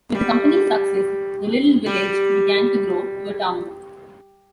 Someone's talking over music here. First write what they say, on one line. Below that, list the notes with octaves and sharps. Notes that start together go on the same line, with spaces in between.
With the company's success the little village began to grow to a town.
G3
G3